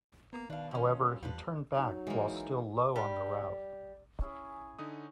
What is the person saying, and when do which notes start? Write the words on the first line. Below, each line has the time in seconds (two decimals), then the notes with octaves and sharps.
However he turned back while still low on the route.
0.33 A#3 B3
0.50 B2 D#3 D4 F5
0.71 F3 C#4
1.04 G3
1.23 E2 F3 B3 D4
1.74 F#3 D#4
2.07 E3 G#3 A#3
2.96 G3
4.21 C#4 E4 G#4
4.79 D3 D#4 D#6